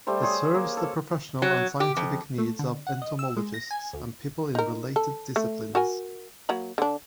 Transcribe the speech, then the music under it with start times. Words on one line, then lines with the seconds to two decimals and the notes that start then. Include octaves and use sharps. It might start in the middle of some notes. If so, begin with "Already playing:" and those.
It serves the professional and scientific needs of entomologists and people in related disciplines.
0.07 G3 A3 C5
0.22 G#4 C5 C#5 D#5
0.55 A#3
0.77 A4
1.42 F#3
1.80 G4
1.96 F2
2.38 A3
2.59 D3
2.87 F#5
3.02 D#5
3.19 E6
3.37 G#3
3.54 A#6
3.71 G#5
3.93 D2
4.55 D#4 A#4
4.96 A4
5.36 A3
5.75 F#4 A#4 G#5
6.49 F#3 A#3 B5
6.78 D3 D4